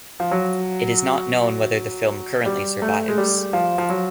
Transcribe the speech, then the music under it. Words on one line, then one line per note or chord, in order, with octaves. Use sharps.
It is not known whether the film currently survives.
F3
F#3
G3
A3
G#3
G3
F3
F3
F#3